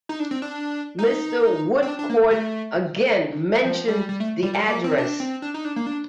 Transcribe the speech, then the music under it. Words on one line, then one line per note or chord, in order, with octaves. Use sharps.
Mr. Woodcourt again mentioned the address.
D#4
D4
C4
D4
D#4
C4
D4
D4
A#3
A3
F3
G3
G3
A3
G3
G3
A#3
C4
D4
C4
D4
D#4
D4
A#3
D4